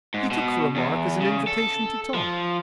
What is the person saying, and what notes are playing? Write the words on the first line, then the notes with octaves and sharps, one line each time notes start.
He took the remark as an invitation to talk.
G#2
B2
E2
C#3
A4
F3